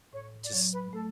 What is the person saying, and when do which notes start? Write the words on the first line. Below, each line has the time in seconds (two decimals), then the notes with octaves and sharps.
to s
0.13 A2 C#5
0.44 D5
0.53 F#3 C#5
0.73 B4
0.93 A3 A4